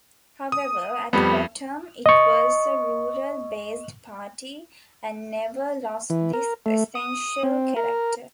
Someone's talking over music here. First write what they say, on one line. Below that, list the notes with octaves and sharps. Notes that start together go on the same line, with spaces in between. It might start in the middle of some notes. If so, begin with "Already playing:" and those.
However, at bottom, it was a rural-based party, and never lost this essential character.
D#6
F2 G3 B3
D#5 C#6
E3
A#4
A3
D#6
C4
A#4